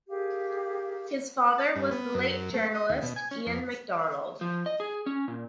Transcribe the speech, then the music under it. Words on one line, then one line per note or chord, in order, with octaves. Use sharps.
His father was the late journalist Iain Macdonald.
G4 G#4 A#4 F5
A5
G2
B3
F#2
A3
D#5
D#2
B2
G#5
C#4
F2
F3
D#5
G#4
C#4
A#2